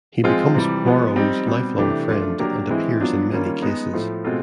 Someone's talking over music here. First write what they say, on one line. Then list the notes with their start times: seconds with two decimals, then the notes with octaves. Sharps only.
He becomes Poirot's lifelong friend and appears in many cases.
0.24 F3 G#3 C4 F4 G#4
0.55 C3 E3 G3
0.85 F3 G#3 B3
1.16 G3 C4 D#4 G4
1.47 B2 G3 C4
1.78 C3 E3 A3 D4 G4
2.08 F3 A3 D4 F4
2.39 F#3 A#3 D4 G4 A#4
2.70 E3 G#3 C4 E4 G#4
3.01 F#3 B3 D4 F4
3.32 D#3 G3 A#3 C#4 F4
3.62 G#3 B3 D#4
3.93 A2 F3 A3
4.24 B2 G#3 C4 F4 A4